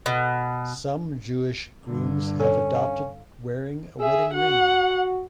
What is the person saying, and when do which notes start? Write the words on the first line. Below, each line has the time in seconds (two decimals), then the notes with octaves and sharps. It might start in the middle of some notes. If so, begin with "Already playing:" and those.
Some Jewish grooms have adopted wearing a wedding ring.
0.06 B2
1.87 G2 D3
2.40 C#4 A4 C#5
2.75 F5
4.00 G#4 E5
4.33 F#4 F#5